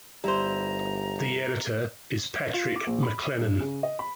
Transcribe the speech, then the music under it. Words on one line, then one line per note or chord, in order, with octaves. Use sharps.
The Editor is Patrick McLennan.
G1 G3 E4 C5 A#5
F4
D6
A#1
B5
D#7
G2
C#3
D#5
B5